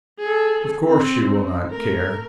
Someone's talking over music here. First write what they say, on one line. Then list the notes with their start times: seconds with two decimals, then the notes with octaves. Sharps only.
Of course she will not care.
0.19 G#4 A4
0.83 C4
1.70 A3 A#4